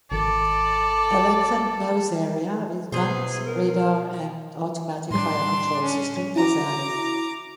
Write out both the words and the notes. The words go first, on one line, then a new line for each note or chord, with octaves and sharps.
A lengthened nose area with guns, radar, and automatic fire control system was added.
G#1 D#3 A4 D5
B2 B3 E4 G#4 C5
A#4
A2 G3 D4 C6
C#4
E4 F#4 A#5 D6